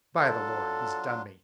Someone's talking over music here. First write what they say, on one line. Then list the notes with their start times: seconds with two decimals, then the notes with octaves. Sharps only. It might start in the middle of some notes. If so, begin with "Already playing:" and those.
'By the Lord, he's done me!'
0.22 F#3 D4 F4 A4